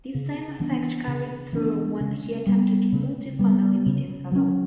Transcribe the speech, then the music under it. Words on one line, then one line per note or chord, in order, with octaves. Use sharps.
This same effect carried through when he attempted multifamily meetings alone.
C#3
E3 B3 D4
C#3
E3 B3 D4
C#3
G3 B3
C#3
G3 B3
C#3
F#3 C#4